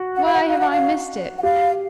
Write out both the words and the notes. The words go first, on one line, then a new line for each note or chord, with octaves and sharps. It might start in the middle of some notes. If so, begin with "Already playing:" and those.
Why have I missed it?
Already playing: F#4
F#5
F5
F#5
F5
F#5
F5
F#5
G4 F5